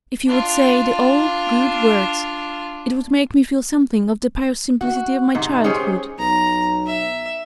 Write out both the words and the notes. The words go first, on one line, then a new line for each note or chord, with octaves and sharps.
If you would say the old good words, it would make me feel something of the pious simplicity of my childhood.
D4 F4
F#4
G#2 C3 D#4
G#3 C#4 G4 G#4 C5 C#5
B1 A#5
E5